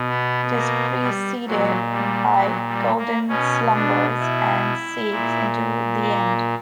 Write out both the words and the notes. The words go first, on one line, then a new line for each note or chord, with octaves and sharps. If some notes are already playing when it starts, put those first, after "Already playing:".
It is preceded by "Golden Slumbers", and segues into "The End".
Already playing: B2
B3
A#3
G3
A#2 F#3
G3
F#3
G3
A#3
B2 C#4
D4
E4
A#2
A#3